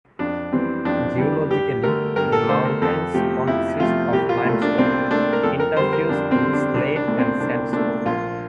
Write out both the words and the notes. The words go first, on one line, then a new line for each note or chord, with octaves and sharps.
Geologically, the mountains consist of limestone, interfused with slate and sandstone.
F2 D4
E3 G3 C4
F2 D4
E3 G3
G2 G4
D3 A3 A#4
G2 A#4
A4
D3 A3 C5
A#4
F2 A4
C3 F3 A3 G4
F2 E4
C3 F3 A3 F4
C2 G4
F4
A#2 A3
D4
C2 C4
A#2 A3 D4
A#4
F2 A4
A#4
D3 G3 C5
A#4
F2 D4
C4
D3 G3
D4
C2 D4
D4
A#2 A3
C4
C2 D4
A#2 A3 D4
A#1 F4